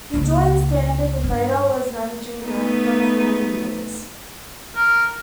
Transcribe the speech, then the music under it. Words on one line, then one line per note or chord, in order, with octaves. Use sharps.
He joined Standard and later was managing director for many years.
C#2 A#3
G2
A3 B3 D#4
A#4